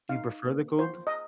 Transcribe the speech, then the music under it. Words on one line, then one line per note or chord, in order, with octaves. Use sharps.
Do you prefer the cold?
D#4 F5
A#3
F4 C5
D#5